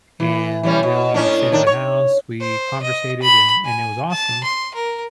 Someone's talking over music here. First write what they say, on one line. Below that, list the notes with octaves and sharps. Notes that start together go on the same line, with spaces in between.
and we only stayed at the house. We conversated and and it was awesome,
E3
E3 G3 C#4
B2
A2 C#4 D4
D#3 D4
C#5
C5
D#5
B5
G#5
A5
C6
A#4